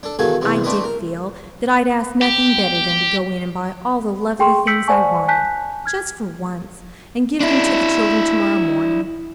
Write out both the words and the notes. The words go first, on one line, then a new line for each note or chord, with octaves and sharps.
I did feel that I'd ask nothing better than to go in and buy all the lovely things I wanted, just for once, and give them to the children tomorrow morning.
D4 A4
E2 D#3 F#3 A4 F5 G#5
E2 C3 E3
A3 C4 D4 B4 D#5
A#4
G4
G#4 G5 C6 C#6
E6 G6 B6 C#7 D7 F#7
C5 D5 F#5 G#5 A5 C#6
G#5 A5 F#6 G6 B6
F6 G#6
D4 E4